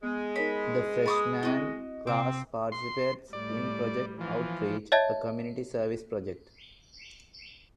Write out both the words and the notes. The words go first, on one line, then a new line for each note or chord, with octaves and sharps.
The freshman class participates in Project Outreach, a community service project.
G#3 B3
D#4 A#4 C#5 B5
G#4 B5 C#6 D#6 A6
C4 E4 F#4 D#5
C3 C4 D6
C6
A2 G3 D5
E3 F3
C#5 D#5 E5 A5 G#6